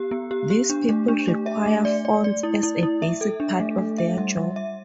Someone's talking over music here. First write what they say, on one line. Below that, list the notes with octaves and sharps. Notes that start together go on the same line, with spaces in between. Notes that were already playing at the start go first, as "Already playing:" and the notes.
These people require fonts as a basic part of their job.
Already playing: B3 G4
B3
G4
G4
D4
A3
D4
A3
E5
A3
D5
D5
D5
E4
E4
E4
E5
A4
D4
A3
A3
E5
G3
G3
E5